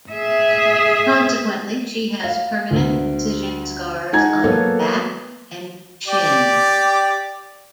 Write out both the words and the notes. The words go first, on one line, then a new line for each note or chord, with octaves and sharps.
Consequently, she has permanent incision scars on her back and shin.
G#4 E5
F5
D2
G#3 D#4 F#5 G#5 A#5 G#6
F#3 A#3 B3 A4 B4 C#5
G4 D5